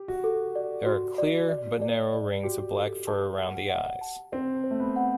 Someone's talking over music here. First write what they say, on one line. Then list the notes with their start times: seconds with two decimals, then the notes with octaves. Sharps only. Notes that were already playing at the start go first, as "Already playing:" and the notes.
There are clear, but narrow, rings of black fur around the eyes.
Already playing: G4
0.08 F#4
0.24 A4
0.56 D5
0.86 F#4
1.18 D5
1.49 D5
1.81 D5
2.13 D5
2.43 F#4 G4
2.75 A4
3.07 A5
3.38 F#5
3.70 F#5
4.01 A5
4.32 C4 C5
4.64 C5
4.71 A3
4.80 B3
4.96 F#5